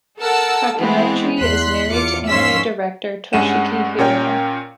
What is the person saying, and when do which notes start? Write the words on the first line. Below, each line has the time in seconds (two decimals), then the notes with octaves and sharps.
Kakinouchi is married to anime director Toshiki Hirano.
0.18 A4 A#4 F#5 A5 E6
0.78 E3 G#3 B3 C4
1.40 E2 C6 F#6 B6
1.89 E2 F4 D6 C#7
2.28 G#2 F3 C#4 C6 E6 B6
3.33 G2 G#3 C#4 F#5 D#7 E7
3.98 A#2 C#4 A#4 C#5 G5